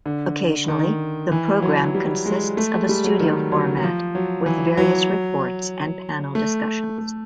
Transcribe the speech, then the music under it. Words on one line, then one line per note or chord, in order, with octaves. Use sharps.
Occasionally, the programme consists of a studio format with various reports and panel discussions.
D3
D#3
E3
F#3
G3
G#3
A3
G#3
G3
F#3
D#3
F#3
F#3
F3
F#3
E3
F#3
A3
A3